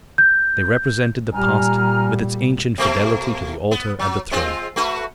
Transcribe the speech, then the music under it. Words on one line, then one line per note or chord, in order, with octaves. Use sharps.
They represented the past, with its ancient fidelity to the altar and the throne.
G6
A#2 G3 G#5 A#5 F6
B2 A3 A#3
B3
F#3
G#3 C4 F4
A3 F#4 B4